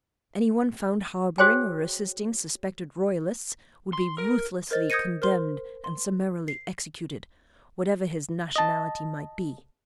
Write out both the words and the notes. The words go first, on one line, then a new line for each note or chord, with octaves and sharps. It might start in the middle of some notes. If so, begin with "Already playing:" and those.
Anyone found harbouring or assisting suspected royalists would be ruthlessly condemned and summarily executed, whatever his nationality might be.
F#4 G#4 C5 C#5 G5 G#5
C6
A#4
A#4 C5 D#5 A6
D#6 G6 G#6 A#6 C#7 D#7
A#4 C5 C6
C6
C7
D#5 A5